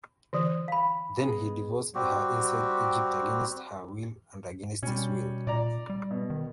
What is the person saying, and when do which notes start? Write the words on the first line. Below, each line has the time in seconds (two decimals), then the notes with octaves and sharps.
Then he divorced her inside Egypt against her will and against his will.
0.33 D3 E3
0.68 F5 B5
1.19 B3 G#4 D#5
1.94 G3 C4 F#4 G4
4.83 B2 G3 C#4
5.47 A#2 D5 A#5
5.89 G3
6.11 B2
6.30 D#3